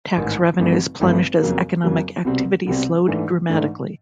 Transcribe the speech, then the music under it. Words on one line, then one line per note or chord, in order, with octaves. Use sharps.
Tax revenues plunged as economic activity slowed dramatically.
A1 G#2 D#3
G#1 G2 E3 A3
G#1 G2 E3 A3
F2 C#3 F#3 A#3
F2 C#3 F#3 A#3
C2 B2 G3 C4
C2 B2 G3 C4
G#2 E3 A3 D4
G#2 E3 A3 D4